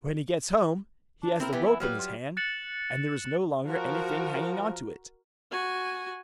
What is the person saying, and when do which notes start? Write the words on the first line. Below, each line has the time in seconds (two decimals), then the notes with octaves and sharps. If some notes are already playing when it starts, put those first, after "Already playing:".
When he gets home, he has the rope in his hand, and there is no longer anything hanging on to it.
1.23 D4
1.40 C4 E4 A#4
1.53 E3 B3 G4
1.67 E4
1.80 F#3 G3 B4 F5
1.99 F4
2.37 F#6 A6 C#7 E7 F#7
3.66 F3 F#4 A#4
5.51 F#4 G#5